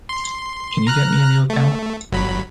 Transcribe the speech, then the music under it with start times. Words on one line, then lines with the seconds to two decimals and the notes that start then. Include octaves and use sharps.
Can you get me a new account?
0.09 C6
0.87 A#5 F6 F#6
1.50 A3
2.12 G1 F#3 B5